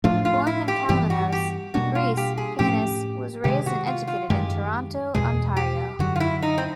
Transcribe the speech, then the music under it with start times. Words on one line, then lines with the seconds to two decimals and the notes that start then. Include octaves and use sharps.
Born in Kalymnos, Greece, Cannis was raised and educated in Toronto, Ontario.
0.04 A2 F3 A3 D4 F4
0.25 F4
0.47 E4
0.68 G4
0.89 G2 E3 G3 B3 G4
1.10 F#4
1.32 G4
1.74 B2 G3 A#3 D4 F#4
1.95 F4
2.17 G4
2.37 G#4
2.59 A2 F3 A3 C#4 G4
3.44 C3 D#3 G#3 G4
3.66 F#4
3.87 F4
4.08 F4
4.30 F#2 D#3 G#3 G4
5.14 E2 B2 G#3 G#4
5.56 G4
5.99 F#2 D3 F#3 F#4
6.16 F4
6.20 E4
6.42 D#4
6.58 C4